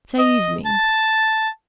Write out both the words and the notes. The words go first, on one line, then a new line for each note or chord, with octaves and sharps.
"Save me!"
D#5
A5